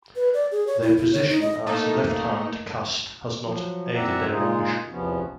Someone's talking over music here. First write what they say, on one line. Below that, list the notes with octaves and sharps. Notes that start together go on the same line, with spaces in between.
Their position as a left-hand caste has not aided their ambition.
B4
D5
G#4
C#5
E4
E4
C#5
D#4
D#5
A3 A#3 D#4 A4
F3 F#3
F#2 C4 D5 E5 F#5 A#5
A#2 C#3 G#3 D#4 F4 G#4
E2 C3 F3 B3 C#4